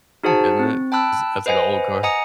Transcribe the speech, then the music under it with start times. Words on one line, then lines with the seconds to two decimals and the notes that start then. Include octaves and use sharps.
isn't it? S that's like a old car.
0.23 D#4 F#4 G#4 C5 F#5 A5
0.59 C4
0.92 G5 A5 B5 E6 F#6
1.46 B4 C5 D#5 F#5 G#5
2.03 D#5 F#5 G#5 A#5 D#6 C#7